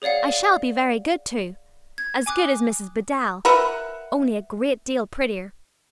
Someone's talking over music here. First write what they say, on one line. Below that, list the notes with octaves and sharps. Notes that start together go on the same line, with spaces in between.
I shall be very good, too; as good as Mrs. Bedell, only a great deal prettier.
G#4 C#5 D5 F5 F#5
G#6
G#5 D6 D#6 F#6
A#4 B4 E5 F#5